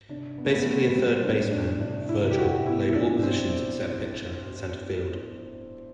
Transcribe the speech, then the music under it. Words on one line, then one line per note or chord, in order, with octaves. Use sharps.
Basically a third baseman, Virgil played all positions except pitcher and center field.
C3 D4
B3
A3
C3 B3
C4
B3
G3 C4
D4
A2
D4
C3 D4
E4
C3
G4
F#4
B2 E4
E4
D4
B2
C4